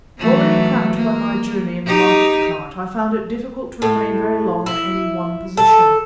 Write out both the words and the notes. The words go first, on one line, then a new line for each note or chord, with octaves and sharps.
Already cramped by my journey in the market-cart, I found it difficult to remain very long in any one position.
E3 F#3 A3
A#3
D#4 G4
A2
E4
A4